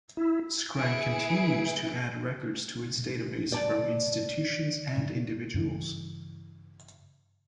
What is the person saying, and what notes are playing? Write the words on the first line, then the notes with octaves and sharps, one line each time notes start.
Scran continues to add records to its database from institutions and individuals.
E4
E4 G#4 B4 E5 C#7 D7
D5 A5
G2 C#3 E3